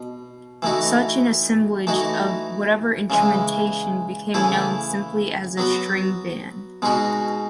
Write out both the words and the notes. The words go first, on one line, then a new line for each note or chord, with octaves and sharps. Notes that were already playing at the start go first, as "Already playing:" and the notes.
Such an assemblage, of whatever instrumentation, became known simply as a string band.
Already playing: B2
E3 A3 D#4 F#4
E3 A3 D#4 F#4
C#3 E3 G#3
C#3 E3 A3 E4
F#3 B3 F#4
B2 G#3 D#4 F#4